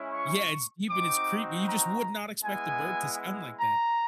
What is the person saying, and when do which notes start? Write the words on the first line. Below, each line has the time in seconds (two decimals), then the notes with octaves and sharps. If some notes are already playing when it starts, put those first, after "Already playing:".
Yeah, it's you've been it's creepy, you just would not expect the bird to sound like that.
Already playing: G#3 C#4 E4
0.13 C#6
0.90 C4 D#4 F#4 D6
1.66 A#5
2.43 G#3 B3 E4 G#5
3.58 A#5